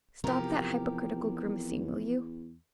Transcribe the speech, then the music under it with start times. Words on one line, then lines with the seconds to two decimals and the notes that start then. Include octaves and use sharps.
Stop that hypocritical grimacing, will you.
0.24 E2 C3 F3 G4 A#4